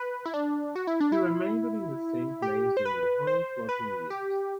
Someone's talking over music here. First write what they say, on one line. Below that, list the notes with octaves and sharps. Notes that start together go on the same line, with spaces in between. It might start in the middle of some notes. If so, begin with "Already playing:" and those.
He remained in the same place during the whole fourteen years.
Already playing: B4
E4
D4
F#4
E4
D4
E4
G4
C5
B4
C5
B4
G4